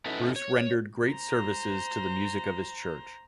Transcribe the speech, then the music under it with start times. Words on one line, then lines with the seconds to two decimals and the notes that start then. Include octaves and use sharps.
Bruce rendered great services to the music of his church.
0.06 C#4 D#4 E4 F#4 A4 B4
0.36 C#5
1.11 C5 A#5